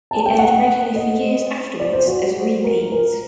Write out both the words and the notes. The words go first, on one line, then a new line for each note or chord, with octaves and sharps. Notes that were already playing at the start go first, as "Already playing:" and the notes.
It aired regularly for years afterwards as repeats.
A5
G5
F#5
D#5
D5
C5
F#4
A#4
A#4